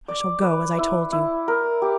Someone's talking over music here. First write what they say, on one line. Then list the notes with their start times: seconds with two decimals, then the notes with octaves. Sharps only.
I shall go, as I told you.
0.08 D5
0.42 B4
0.78 E4
1.12 E4
1.48 A#4
1.82 G4